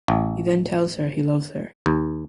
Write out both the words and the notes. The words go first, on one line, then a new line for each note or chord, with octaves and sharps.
He then tells her he loves her.
A1
D#2